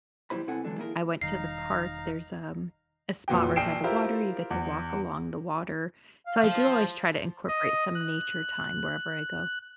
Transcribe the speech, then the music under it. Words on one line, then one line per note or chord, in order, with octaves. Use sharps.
I went to the park, there's, um, a spot right by the water, you get to walk along the water. So, I do always try to incorporate some nature time wherever I go.
D#2 F#3 G3 E4 C5 B5
B2 C4 E4 A4 F#5 G#5
D3 E3 F#3 G#3 D4 A4
A#3 E4 G#4 A#4
E1 D#3 G3 D#4 F5 A#5 C7
F1 A#2 E3 F#4 G5
A#1 G5 C7 D7 E7
E4 F4 G4 A#4 C5
E2
F5
F3
D#5
F#6